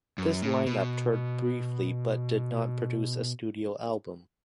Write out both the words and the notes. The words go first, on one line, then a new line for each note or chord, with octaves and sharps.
This line-up toured briefly but did not produce a studio album.
F#2
A2
B2